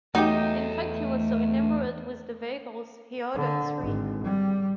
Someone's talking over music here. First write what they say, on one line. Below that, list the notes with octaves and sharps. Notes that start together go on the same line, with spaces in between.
In fact, he was so enamoured with the vehicles, he ordered three.
E2 F#3 A3 D#4 G4
D3
G#1
G3